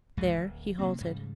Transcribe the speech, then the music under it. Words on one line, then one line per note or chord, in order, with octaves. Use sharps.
There he halted.
G#1 C#2 F#2 C3
D1
C3 F3 A#3 C4
G#2 C#3 F3 G3